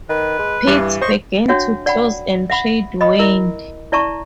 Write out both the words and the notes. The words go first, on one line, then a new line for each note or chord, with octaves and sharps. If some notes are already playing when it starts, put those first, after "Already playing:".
Pits began to close and trade waned.
D#3 B4
G#3
G2 E3
C5 D#5 C#6
D4 F#4 C#5 E5 F#5 G5
D5 F#5 G5 B5
E5 F#5 B5
D#5 B5 D#6
E4 A#4 E5
E4 D5 E5 A5 A#5 C#6